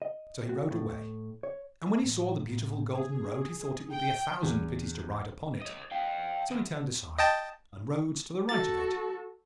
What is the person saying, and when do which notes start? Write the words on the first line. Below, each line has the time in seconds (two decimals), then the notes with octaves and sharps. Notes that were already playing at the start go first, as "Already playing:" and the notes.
So he rode away, and when he saw the beautiful golden road he thought it would be a thousand pities to ride upon it; so he turned aside, and rode to the right of it.
0.02 D#5
0.49 F#4
0.71 A2
1.43 C#5
2.01 A1
2.94 G#4
3.90 G5
4.43 E2
5.62 C#5 D#5
5.92 F5 G5
6.51 E2
7.18 D#5 G5 A5
8.49 F#4 A4 A6